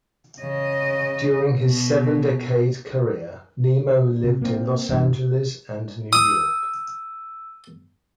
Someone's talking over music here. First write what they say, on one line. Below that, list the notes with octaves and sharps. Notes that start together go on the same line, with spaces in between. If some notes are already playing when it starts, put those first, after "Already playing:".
During his seven decade career, Nemo lived in Los Angeles and New York.
C#3 D#5
B2
C3
A#3 C4
G1 E2 G2
D#6 E6